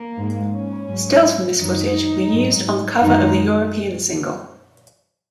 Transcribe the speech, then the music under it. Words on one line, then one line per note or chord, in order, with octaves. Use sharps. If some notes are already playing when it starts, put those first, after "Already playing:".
Stills from this footage were used on the cover of the European single.
Already playing: A#3
G#2 G#3
C#4
G#2 F#3
F#2 D#3 F#3 D#4
G#2 F#3
F#2 D#3 G#3 D#4